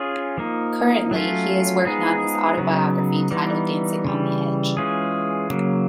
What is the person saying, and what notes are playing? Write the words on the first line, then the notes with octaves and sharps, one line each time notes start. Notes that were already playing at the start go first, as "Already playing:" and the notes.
Currently, he is working on his autobiography, titled "Dancing On The Edge".
Already playing: C#4 F4 G#4 C#5
F3 A#3 D#4
F#3 A3 C#4 F4
F3 G#3 B3 D#4 G#4
C#3 F#3 B3 D#4
E3 G3 B3 D#4
C#3 E3 G3
E3 G#3 C#4 F4 G#4
C#3 F#3 A#3